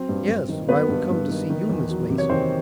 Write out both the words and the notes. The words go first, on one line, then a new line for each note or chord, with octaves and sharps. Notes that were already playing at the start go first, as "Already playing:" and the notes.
"Yes, or I will come to see you, Miss Mason."
Already playing: F#3 C4 C5
G2
G2
D#3
F#3 B3 B4
G2
G2
D#3
D#3
E2
F#3
C3
C#5
D#3 C4 C5